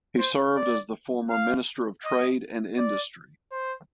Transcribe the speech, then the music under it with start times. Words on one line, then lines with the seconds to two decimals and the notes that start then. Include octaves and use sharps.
He served as the former Minister of Trade and Industry.
0.18 C5
0.56 D5
1.30 F5
2.04 D#5
2.78 D5
3.51 C5